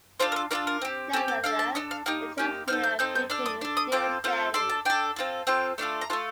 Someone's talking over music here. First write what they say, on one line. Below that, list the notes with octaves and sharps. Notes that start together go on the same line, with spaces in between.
Nevertheless, the transmitter building is still standing.
D4 F4 A4 C5
A#4
A4
D4 F4 A4 A#4
A#4
C4 G4
C4 G4 A4
A4
D4 A4 F5
A5
D4 A4 D#5
F5
A#3 D#4 G4 G5
A#3 D#4 G4
C4 D#4 A4 F6
G6
C4 D#4 A4 G6
G6
D4 A4 F6
D#6
D4 A4
D#6
C4 F4 A4 D6
C4 F4 A4
D4 A4 C6
A5
D4 A4 G5
C4 F4 A4
C4 F4 A4 G5
A3 D4 F4 A4
A#5
A3 D4 F4 A4 A5